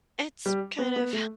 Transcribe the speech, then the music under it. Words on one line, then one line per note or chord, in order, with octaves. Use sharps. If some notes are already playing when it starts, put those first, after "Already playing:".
It's kind of
G3
B3
B3
A3